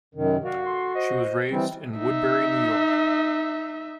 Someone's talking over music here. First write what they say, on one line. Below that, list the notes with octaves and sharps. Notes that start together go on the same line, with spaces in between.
She was raised in Woodbury, New York.
F#2 C3 D#3
F#4 D5 F5
A4 C6
C5 D#5
E3 G3 C4
D#4 E5